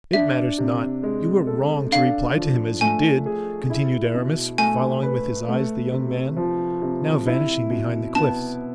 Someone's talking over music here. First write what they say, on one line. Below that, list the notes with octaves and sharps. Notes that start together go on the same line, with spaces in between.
"It matters not; you were wrong to reply to him as you did," continued Aramis, following with his eyes the young man, now vanishing behind the cliffs.
D4 E5
C3
G#3
A4
D4 F5
F3
A3 G#5
G#4
E4
B2
A3 G#5
B4
A3
C3
F3
C3
E4
B2
B3 A5